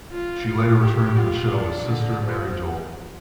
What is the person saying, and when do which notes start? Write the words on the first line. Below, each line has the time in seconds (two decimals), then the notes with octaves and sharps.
She later returned to the show as Sister Mary Joel.
0.12 F4
0.46 F4
0.82 G4
1.17 F4
1.54 D4
1.88 D3
2.25 F3